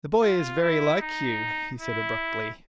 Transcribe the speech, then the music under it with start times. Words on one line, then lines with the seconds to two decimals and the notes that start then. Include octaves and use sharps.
"The boy is very like you," he said abruptly.
0.22 F4
0.62 E4
1.01 D#4
1.80 E4